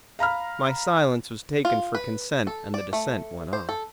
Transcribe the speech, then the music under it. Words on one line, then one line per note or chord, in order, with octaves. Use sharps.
My silence was taken for consent and the descent went on.
F5 A#5 B5 F6
F4
B4
A4
D5
A3
C5
A4